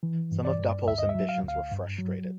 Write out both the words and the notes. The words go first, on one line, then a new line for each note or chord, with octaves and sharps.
Some of Dapol's ambitions were frustrated.
E3
G2
D5
G2
D2 E5
D#5
E5
F#3
F5
D2
F5
G2
F#3